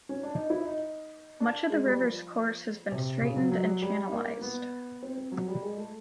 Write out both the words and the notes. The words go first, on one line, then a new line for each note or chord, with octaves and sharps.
Much of the river's course has been straightened and channelized.
C#4
D4
D#4
E4
D#4
D4
G#3
G3
F3
C3
C#3
F#3
F#3
G3
A#3
B3
C4
C4
F#3
G3
G#3
A3